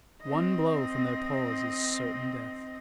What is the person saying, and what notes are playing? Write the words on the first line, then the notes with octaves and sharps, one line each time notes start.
One blow from their paws is certain death.
C4 D#5